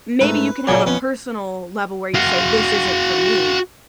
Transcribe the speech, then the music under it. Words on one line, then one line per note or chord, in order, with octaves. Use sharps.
maybe you can have a personal level where you say, "This isn't for me,"
G#2 A3 B4
A#2 C#3 F#3 D5 G#5
F2 B3 C#4
F#4 F5